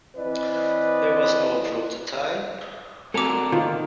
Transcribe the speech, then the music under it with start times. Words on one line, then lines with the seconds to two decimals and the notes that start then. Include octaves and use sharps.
There was no prototype.
0.16 E3 C4 B4 D5 D#5
3.14 A3 C4 F#4 A4 A#4 D6
3.53 D#3 F4